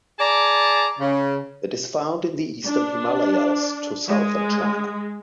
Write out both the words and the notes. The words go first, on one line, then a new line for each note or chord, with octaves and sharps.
It is found in the eastern Himalayas to southern China.
G#4 D5 A5 A#5
C#3
D4
G#3